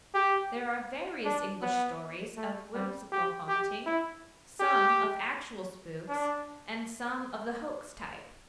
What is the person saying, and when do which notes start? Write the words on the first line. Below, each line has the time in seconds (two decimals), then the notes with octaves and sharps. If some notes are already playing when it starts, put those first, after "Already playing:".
There are various English stories of whimsical haunting, some of actual spooks and some of the hoax type.
0.14 G4
1.25 D4
1.62 B3
2.37 A3
2.74 G3
3.12 G4
3.48 G4
3.86 E4
4.60 G4
6.08 D4